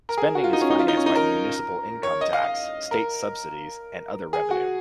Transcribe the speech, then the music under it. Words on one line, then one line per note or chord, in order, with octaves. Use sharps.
Spending is financed by municipal income tax, state subsidies, and other revenue.
A#4
G#4
F#4
F4
D#4
C#4
D#4
F4
D#4
C#4
D#4
A#4
C#5
D#5
F5
F5
A#4
G#4
F#4